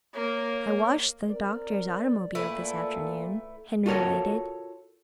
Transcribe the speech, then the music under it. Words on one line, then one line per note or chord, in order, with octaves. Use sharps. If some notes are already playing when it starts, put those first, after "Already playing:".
"I washed the doctor's automobile this afternoon," Henry related.
A#3 C#5
C4 A#4 D5
A#2 A3 E4 A4 B4
F4 F#4 A4 A#4 C#5 A5